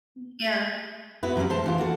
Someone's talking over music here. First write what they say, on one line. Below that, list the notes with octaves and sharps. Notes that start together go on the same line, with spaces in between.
Hmm, yeah.
B3 E4 F#4 B4
C3 F#3 G#3 C4 C#4
A3 C5 A5
C3 E3 F4
A#3 F#4 A4